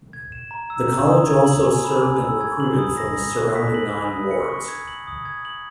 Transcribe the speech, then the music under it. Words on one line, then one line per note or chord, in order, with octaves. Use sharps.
The College also served and recruited from the surrounding nine wards.
G#6
E7
A#5
E6
A#5
D#6
G#6
F#7
G#5
B5
G#5
E6
G#6
F#7
D#6
A#6
D#6
F#6
B6
F#7
B5
D#6
C#7
C#6
G#6
F#7
D#6
G#6
F#7